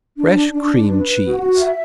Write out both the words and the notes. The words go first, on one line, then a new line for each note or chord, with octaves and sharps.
Fresh cream cheese.
D4
D4
B4
F#4
E5